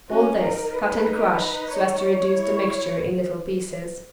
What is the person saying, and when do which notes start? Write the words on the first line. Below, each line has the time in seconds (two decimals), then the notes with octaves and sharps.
All this cut and crush so as to reduce the mixture in little pieces.
0.09 C#4 F#4
0.41 D#4 A#4
0.73 B4
1.68 C#5
2.31 E4